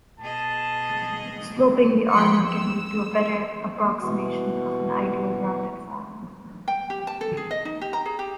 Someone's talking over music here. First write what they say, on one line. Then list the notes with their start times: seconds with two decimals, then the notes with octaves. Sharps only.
Sloping the armour can lead to a better approximation of an ideal rounded form.
0.20 B2 G#4 D#5 A5
2.11 F3 G5 B5 C#7
2.46 E6
4.00 B2 E3 F#4
6.68 G5
6.90 G4
7.07 A5
7.21 A4
7.37 G#4
7.51 D#5
7.65 D#4
7.81 G4
7.93 A#5
8.06 G#4
8.19 G4